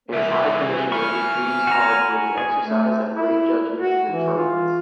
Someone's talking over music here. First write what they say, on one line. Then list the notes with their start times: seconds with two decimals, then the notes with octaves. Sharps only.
As High Commissioner his duties called for the exercise of great judgment and firmness.
0.13 C2 E3 E5
0.92 G#5 B5 C#6 F6
1.67 F#4 A#5
2.38 G#4
2.65 A3
3.15 E4
3.79 F#4
4.10 E3
4.37 F4